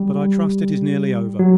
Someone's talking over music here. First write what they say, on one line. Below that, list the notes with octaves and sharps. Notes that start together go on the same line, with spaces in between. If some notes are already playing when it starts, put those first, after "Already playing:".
But I trust it is nearly over.
Already playing: G3
F#3